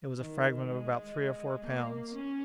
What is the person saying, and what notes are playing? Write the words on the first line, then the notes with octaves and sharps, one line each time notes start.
It was a fragment of about three or four pounds.
D#3
G#3
A#3
C#4